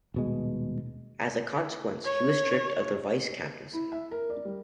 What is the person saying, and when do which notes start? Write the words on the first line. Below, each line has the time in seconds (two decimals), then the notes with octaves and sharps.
As a consequence, he was stripped of the vice-captaincy.
0.14 D#1 B2 G#3
2.04 C#5
3.73 E4
3.92 E5
4.11 A#4
4.30 D5
4.45 G3